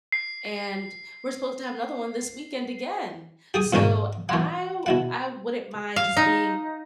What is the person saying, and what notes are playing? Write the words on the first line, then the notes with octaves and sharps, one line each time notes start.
and we're supposed to have another one this weekend again, so I w I wouldn't mind just being
C7
C7
G4 G#4 D#6
E2 G#2 D#3 C#4 D4
E3 F#5
B2 E4 F#5
F5
D#4